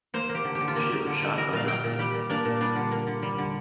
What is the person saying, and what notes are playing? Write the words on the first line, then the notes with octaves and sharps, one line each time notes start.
She was shot by the Nazis.
A#3 C5
A#3
G4
D3
G4
D3
F4
A#3 G4
A#3
D3
D3
G3 A#4
A#2 F5
A#3 G5
A#2
G3 G4
A#2
A#3 D4
A#2
G3 D4
D3
A#3
D3
G3
D3